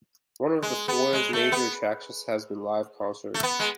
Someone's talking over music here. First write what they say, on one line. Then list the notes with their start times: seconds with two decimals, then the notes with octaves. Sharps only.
One of the foire's major attractions has been live concerts.
0.62 G#3
0.88 B3
1.13 G#3
1.33 A3
1.52 B3
3.34 A3
3.43 B3
3.59 G#3